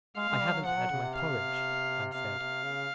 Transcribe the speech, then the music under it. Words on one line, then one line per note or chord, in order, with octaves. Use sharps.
"I haven't had my porridge," I said.
G#3 F5
G#3
G3
F#3
F3 F#5
F#3
C#3
C3
F5
C3 F5
C3
C#3